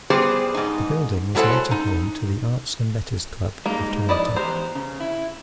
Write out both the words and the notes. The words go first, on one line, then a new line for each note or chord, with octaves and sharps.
The building was later home to The Arts and Letters Club of Toronto.
G3 B3 G4 G#4 C5
G#2 D#4
F#3 G#3 E4 A4 C5 F#5
D#4
G3 G#3 A#3 D#4
F2 G#2 E4 D5 D#5
E2 G4 C5 A#5
C#3
E4